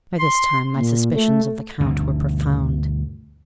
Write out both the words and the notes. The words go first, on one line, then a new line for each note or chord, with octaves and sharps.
By this time my suspicions of the Count were profound.
C6
A#2
A3
D2 G2 B2